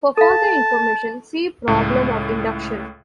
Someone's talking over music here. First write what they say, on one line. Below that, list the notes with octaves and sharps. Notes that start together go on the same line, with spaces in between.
For further information, see Problem of induction.
A4 F5 A5
C#2 A2